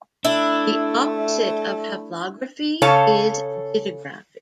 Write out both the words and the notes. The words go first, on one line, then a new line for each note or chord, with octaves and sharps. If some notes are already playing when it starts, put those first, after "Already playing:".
The opposite of haplography is dittography.
A3 D4 E4
C#3 A4 C#5 F5 A5